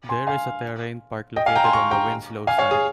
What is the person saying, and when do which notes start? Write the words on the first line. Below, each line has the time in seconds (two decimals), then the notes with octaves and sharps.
There is a terrain park located on the Winslow side.
0.09 G#5 C6
0.27 F5 G#5
1.36 D#5 G5
1.46 F5 G#5
1.56 G5 A#5
1.64 G#5 C6
1.73 A#5 C#6
1.91 G5 A#5
2.47 F5 G#5
2.58 C#5 F5
2.71 G#4